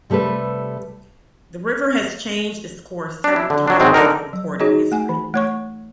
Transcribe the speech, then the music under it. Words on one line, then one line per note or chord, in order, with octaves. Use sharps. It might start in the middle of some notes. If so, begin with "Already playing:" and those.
The river has changed its course several times in recorded history.
C3 G3 A3 A4 B4
D4
E4
D3
F#3 D4
G#2 F#3 G#3 C4
D3 D#4 A#4
F#3
D#4 F#4 G#4 C#5 D#5
A3 G#5
E3
A3 C#5 C#6